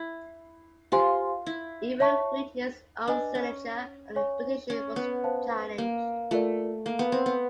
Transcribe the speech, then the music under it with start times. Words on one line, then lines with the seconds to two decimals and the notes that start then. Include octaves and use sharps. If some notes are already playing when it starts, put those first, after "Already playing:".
Even Whitney's own signature on the petition was challenged.
Already playing: E4
0.92 F4 G4 C5 F5 G#5 C6
1.46 E4
2.00 C#5 E5 A5 C#6
3.07 D4 B4 D#5 G#5
3.35 C#4
4.16 C#5 F5 G#5 C#6
4.70 C#4
4.96 B3
5.24 C5 F5 A5
5.78 A#3
6.31 A3 F4 A#4 D5
6.86 A#3
6.99 B3
7.12 C4
7.26 B3